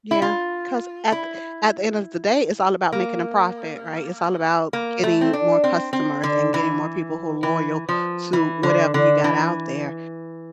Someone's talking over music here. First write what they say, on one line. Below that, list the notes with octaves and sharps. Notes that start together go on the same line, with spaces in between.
Yeah, 'cause at th at the end of the day, it's all about making a profit, right, it's all about getting more customers, and getting more people who are loyal to whatever you got out there,
E4
F4
E4
A#3
A#3
A3
C4
D4
C4
C4
D3
E3
E3
F3
E3
D3
D3
E3